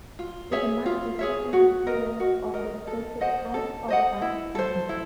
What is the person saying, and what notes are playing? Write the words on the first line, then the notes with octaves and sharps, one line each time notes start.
It marks the second appearance of the prototype of Bugs Bunny.
F4
G#4 C#5 E5
F4
G#4 C#5 E5
F#4
A#4 D#5
F#4
A#4 D#5
A4
C5 D#5 F#5
A4
C5 D#5 F#5
E4
A4 C5
E4